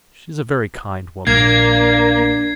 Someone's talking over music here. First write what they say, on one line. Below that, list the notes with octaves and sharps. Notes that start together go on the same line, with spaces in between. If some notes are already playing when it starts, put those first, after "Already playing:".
She is a very kind woman.
A#1 A#3 D4 G#6 C7